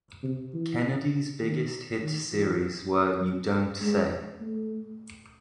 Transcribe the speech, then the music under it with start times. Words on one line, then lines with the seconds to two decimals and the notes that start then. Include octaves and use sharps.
Kennedy's biggest hit series were You Don't Say!
0.23 C3
0.53 E3
1.42 D#3
2.02 D#3
2.32 E3
3.21 F#3
3.81 G#3
4.41 A3